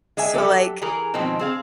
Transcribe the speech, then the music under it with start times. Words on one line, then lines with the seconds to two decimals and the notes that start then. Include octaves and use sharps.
So like
0.17 G#3 G#4 E5 G#5
0.34 F#3 G4 A4 E5
0.82 E3 G#4 A#4
1.14 B2 D#3 F3 G#3 C4
1.39 C4 G#4 F5